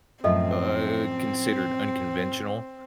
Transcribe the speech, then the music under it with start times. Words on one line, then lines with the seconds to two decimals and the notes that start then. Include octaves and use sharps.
uh, considered unconventional.
0.24 F#2 A2 F3 C4 A4 D#5 E5